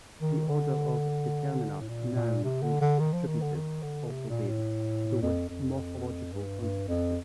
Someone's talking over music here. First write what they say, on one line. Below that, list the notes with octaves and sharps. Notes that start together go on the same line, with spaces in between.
The order of determiner, noun, and attributive also varies, though with morphological consequences.
D#3
D3
A2
A#2
A#2
C3
D3
D3
D#3
F3
D#3
D3
D#3
D3
C3
A#2
A2
F2
F2
G2
G2
F2